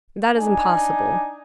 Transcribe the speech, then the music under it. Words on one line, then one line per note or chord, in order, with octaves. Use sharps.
"That is impossible."
D4 D#4 G#5